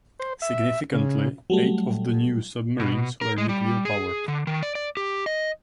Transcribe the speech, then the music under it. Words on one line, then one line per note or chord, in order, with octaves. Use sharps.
Significantly, eight of the new submarines were nuclear-powered.
C5
E5
C#3
F#3 G3 A3
B2
A#4
G#3
G3
G#4
D3
D#3
D5
D5
G4
D#5